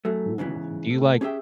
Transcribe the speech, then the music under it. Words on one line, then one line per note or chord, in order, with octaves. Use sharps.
Ooh, do you like
F#2 F#3 A3
G#2 C#3 E3 B3
A2
C#4 G4 G#4 C5 E5 G5